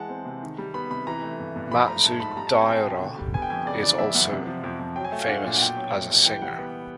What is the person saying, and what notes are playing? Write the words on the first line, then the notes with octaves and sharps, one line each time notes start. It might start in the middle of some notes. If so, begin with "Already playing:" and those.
Matsudaira is also famous as a singer.
Already playing: E3 G#3 F#5 A5
C4
C3
D#3
G3
B3 B5
C3 B5
E3 A#5
A3
G2
G2
F3 B5
A3 A#5
G#2 A5
G#2 B5
B5
G3 A#5
A5
C4
G#5
E4 G5
B2
D3
G3
B3 G#5
G5
F2 G#5
C#3 D5
E3 D5
F#2 E5
F#2 F#5
C3
F3
F2
F2
F#3 G5
G#5
A3
F5
D4 F#5
A#2
F#5
B2 G5
F#3
A3
C2
E3 G5
G3 F#5
B3